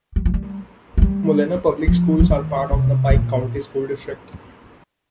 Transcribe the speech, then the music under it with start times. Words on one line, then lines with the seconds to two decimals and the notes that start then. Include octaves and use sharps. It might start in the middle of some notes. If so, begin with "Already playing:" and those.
Molena Public Schools are part of the Pike County School District.
0.16 G3
0.25 F3
0.34 G3
0.98 G#3
1.02 G3
1.87 F3
2.20 F3
2.30 D#3
2.73 C3
3.10 C3
3.16 A#2